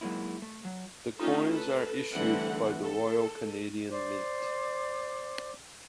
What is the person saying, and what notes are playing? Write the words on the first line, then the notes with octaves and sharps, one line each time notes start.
The coins are issued by the Royal Canadian Mint.
F#3 G#3 A#3 D#4 E4
A3
F#3
A3 C#4 D#4 F4 G4 A4
A4 B4
D3 E3 G3 A3 C4 F#5
A4
C5 D5 D6